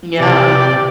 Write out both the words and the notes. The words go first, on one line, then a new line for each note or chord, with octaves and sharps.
Mm yeah.
C3 G4 D5 G5